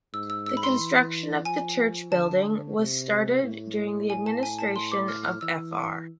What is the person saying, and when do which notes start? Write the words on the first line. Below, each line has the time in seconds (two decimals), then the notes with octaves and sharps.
The construction of the church building was started during the administration of Fr.
0.14 G#2 E6
0.30 E6
0.46 E6
0.57 B5
0.63 C6
0.80 E3
1.45 F3 G#5
2.11 D3 A5
2.78 C3
3.43 A2
4.10 G#5
4.26 A5
4.43 G#5
4.59 A5
4.76 C6
4.92 D6
5.08 F6
5.24 F6
5.41 E3 E6